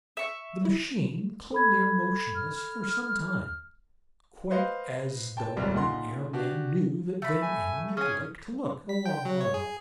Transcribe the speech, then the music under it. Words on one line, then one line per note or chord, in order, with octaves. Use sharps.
The machine clung there, motionless, for some time, quite as though the airman knew that Van Emmon would like to look a long while.
E5 C#6
E4
A4 B5 G#6
F6
B4 C5 D#5 F5
G5 A5
D#1 C2 G#2 G3
A#2 C#3 D#4 F#5 A#5 C6
D4 F#4 G4
A3 B5
G#5
C#4 G#4 G#5
B6
G5
F#3
C#5
G#4